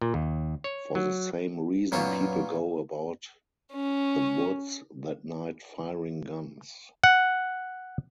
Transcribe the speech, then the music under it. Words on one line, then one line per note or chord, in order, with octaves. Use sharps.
For the same reason, people go about the woods that night firing guns.
A#2
D#2
C#5
F#3
F#2 A#2 B3 C#4 F4
C#4
F#5